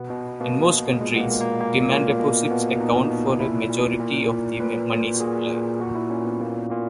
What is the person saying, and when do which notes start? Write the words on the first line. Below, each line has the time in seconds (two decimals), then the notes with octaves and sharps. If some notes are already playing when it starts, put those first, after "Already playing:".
In most countries, demand deposits account for a majority of the money supply.
Already playing: B2 B3
0.10 B2
0.40 B2 A#3
0.71 B2
1.01 A#2 G#3
1.16 B3
1.20 A#3
1.31 A#2
1.41 A#3
1.60 A#2 A#3
1.91 A#2
2.20 B2 A#3
2.50 B2 B3
2.80 B2 D#4
3.10 B2
3.40 A#2 E4
3.70 A#2
4.00 A#2
4.30 A#2
4.60 A#2 B4
4.90 A#2
5.15 F#4
5.20 A#2 G#4
5.51 A#2
5.80 A#2 F#4
5.95 E4
6.10 A#2 C#4
6.25 B3
6.41 A#2 A#3
6.70 A#2 A#3